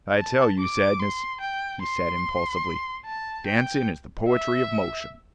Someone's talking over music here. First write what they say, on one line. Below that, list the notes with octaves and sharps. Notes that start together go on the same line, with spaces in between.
"I tell you, Sadness," he said impulsively, "dancing is the poetry of motion."
A5
D6
C6
G5
C6
A5
G5
E5